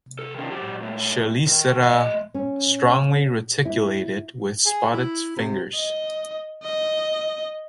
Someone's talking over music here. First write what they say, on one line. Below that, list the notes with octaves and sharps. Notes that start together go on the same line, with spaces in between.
Chelicera strongly reticulated with spotted fingers.
C#2 A4
D#3 C#4
F#3 G4
A#2 A3
D#3
A3 D#5
C#4
E4
G#4
E4
C3
D#5
D#5